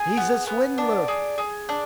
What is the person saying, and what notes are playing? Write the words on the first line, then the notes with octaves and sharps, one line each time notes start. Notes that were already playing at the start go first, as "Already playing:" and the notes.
"He's a swindler!"
Already playing: G#4 G#5
B3
B3
D4
G#4
G#4
D4